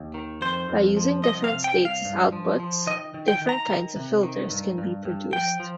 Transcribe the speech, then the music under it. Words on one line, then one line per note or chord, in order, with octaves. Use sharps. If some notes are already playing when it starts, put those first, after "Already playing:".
By using different states as outputs, different kinds of filters can be produced.
Already playing: D#2
D#3
F2 C5
F2
F3
C2 D#5
F5
C3
G5
C2
F5
G2
F3
F3
D#3 D#5
D#3
G5
D#3
A#5
D#3
C3
D#3
G2
G2
G2
F3 G5
F3